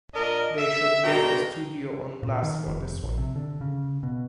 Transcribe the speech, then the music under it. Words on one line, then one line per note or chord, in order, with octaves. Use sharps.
They should get the studio on blast for this one.
A#2 D4 A#4 D#5
E5
G2 B2 G#3 A#3 G5 A#5
A#2
D#3
F1
A#1
C3
D3
C#3
B2